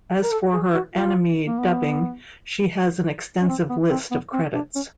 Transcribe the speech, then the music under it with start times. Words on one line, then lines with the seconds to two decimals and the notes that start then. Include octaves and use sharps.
As for her anime dubbing, she has an extensive list of credits.
0.23 A#4
0.31 A4
0.53 G#4
0.74 F#4
0.95 F4
1.47 A#3
1.58 B3
3.41 C#4
3.49 C4
3.69 B3
3.91 C4
4.11 B3
4.33 C4
4.55 D4
4.75 C#4